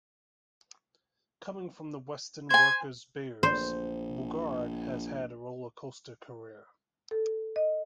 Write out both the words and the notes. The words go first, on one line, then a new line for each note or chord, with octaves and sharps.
Coming from the Weston Workers Bears, Boogaard has had a rollercoaster career.
C5 G#5 G#6
A#1 C5
A4
D#5